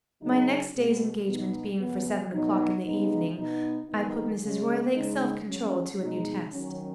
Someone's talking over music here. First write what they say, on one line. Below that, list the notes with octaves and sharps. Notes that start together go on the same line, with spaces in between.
My next day's engagement being for seven o'clock in the evening, I put Mrs. Roylake's self-control to a new test.
C#3 F#3 D#4
B2 G#3 B3
B2 B3 D#4
F#2 C#3 F#3 B3
B2 F#3 B3 D#4
C#3 G#3 B3 D#4
B2 B3 D#4
G#2 D#3 B3 D#4
C#3 G#3 C#4
C#3 G#3 D#4
C#3 F#3 C#4
B2 G#3 D#4
D#3 F#3 C#4